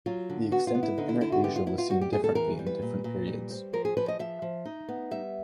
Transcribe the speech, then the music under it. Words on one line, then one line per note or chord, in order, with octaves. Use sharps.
The extent of Inner Asia was seen differently in different periods.
F#3 F4
D3
B3 F#4
F4
B3
E4
D3 D#4
E4
D3 E4
F#4
B3 G4
F4
B3 E4
F4
G3 F#4
G4
E2 G#4
A4
E3 A#4
G3
B4
A#2
A#2
G3
C4
F3 A#4
G#4
F3 B4
D#5
F3 E5
F3
D#4
B3
G3 E5